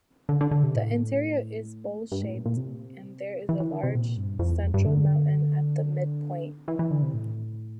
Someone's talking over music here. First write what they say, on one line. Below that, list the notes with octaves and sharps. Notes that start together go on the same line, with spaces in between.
The interior is bowl-shaped, and there is a large central mountain at the midpoint.
D3
D3
D3
C3
A2
G2
A2
A#2
A#2
C3
E3
E3
D3
C3
A#2
G2
F2
E2
F2
G2
D3
E3
E3
D3
C3
A2